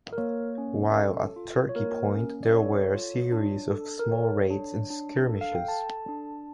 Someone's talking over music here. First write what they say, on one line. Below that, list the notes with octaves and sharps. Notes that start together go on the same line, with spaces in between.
While at Turkey Point there were a series of small raids and skirmishes.
A#4
A#3 C#5
C#4
A4
F4
C#5
A#3 A#4
C#4
D5
A4 C#5
F4
D4
A4
A#4
A4 C#5
D4
D4
A4
F5
G5
A4 A5
D4